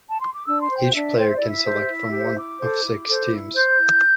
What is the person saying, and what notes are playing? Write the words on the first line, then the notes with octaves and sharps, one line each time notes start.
Each player can select from one of six teams.
A5
C6
D6
D4 E6
C6
C5
G5
D4 E5
C5 G5
E5
E4 D5
E5
G4 C5
E4
G4 C5
E4 D6
A4 C5
E4
A4 C5
E4
C5 G6
E4